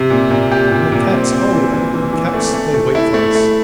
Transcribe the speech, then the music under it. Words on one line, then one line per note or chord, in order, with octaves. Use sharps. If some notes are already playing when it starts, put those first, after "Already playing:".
And the cats--oh, the cats they wait for us!
Already playing: C3
A#2
A#2
G4
A#2
A#2
C4
C4
E3
E3
E3
E3
A3
A3
A3
E4
A3
A3